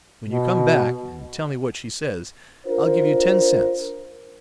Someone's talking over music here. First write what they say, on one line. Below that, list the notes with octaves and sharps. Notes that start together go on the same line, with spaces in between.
When you come back and tell me what she says, I'll give you ten cents.
B2
D4 F4 A#4 C5